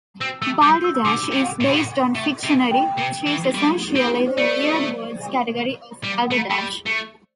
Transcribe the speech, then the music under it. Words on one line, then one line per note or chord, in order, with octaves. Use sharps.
"Balderdash" is based on "Fictionary", which is essentially the Weird Words category of "Balderdash".
C4 E6
A3 E6
G3 G6
E6
E6
D3 D6
C3
A2
C3
A2
A3
C3
G5
C3
E3
G3
C4
C5
A3 D5
G3
A3
A3
G3
A3